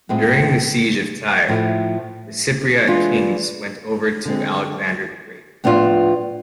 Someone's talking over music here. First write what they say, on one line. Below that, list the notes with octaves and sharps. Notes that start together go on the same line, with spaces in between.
During the siege of Tyre, the Cypriot Kings went over to Alexander the Great.
A2 G#3 C4 F4
A2 F3 A3 E4
E3 G#3 D4 F4
D3 G#3 C4
A2 F3 B3 D4 F4